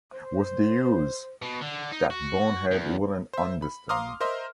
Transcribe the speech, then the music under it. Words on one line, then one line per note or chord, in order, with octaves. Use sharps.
What's the use? That bonehead wouldn't understand!
C5
B2
D3
D#4
F#4
E2
C5 E5
B5
F5 A#5 C6 D6 D#6 F6
A#4 C5 D#5 E5 C6